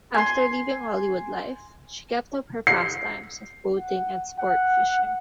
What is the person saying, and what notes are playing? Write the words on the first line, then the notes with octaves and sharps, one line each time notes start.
After leaving Hollywood life, she kept up her pastimes of boating and sport fishing.
G#5 C6
C7
F#5
F#5